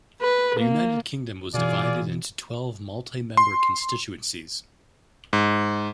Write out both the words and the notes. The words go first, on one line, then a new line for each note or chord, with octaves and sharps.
The United Kingdom was divided into twelve multi-member constituencies.
B4
A#3
B2 E3 F4 G#4 D5
C6
G#2